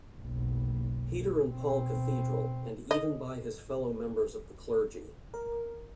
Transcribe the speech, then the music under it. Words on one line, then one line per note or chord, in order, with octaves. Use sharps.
Peter and Paul Cathedral, and even by his fellow members of the clergy.
F#1 B1
B2 C4
D#5
A#4